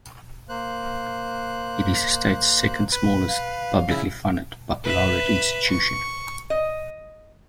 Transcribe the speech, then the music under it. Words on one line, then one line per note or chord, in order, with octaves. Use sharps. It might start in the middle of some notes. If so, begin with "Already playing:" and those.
It is the state's second-smallest publicly funded baccalaureate institution.
A#3 C5 F#6
B4
F5
C#3 E4
B4 E5
C#6
D#5